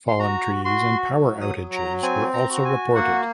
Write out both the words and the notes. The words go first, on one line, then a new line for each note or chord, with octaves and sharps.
Fallen trees and power outages were also reported.
C6
F#4 A#5
F#4 C6
F#3
D#6
F#3
A#5
C4 G#5
A#5
F#4 A#5
G#5
A#3 F#5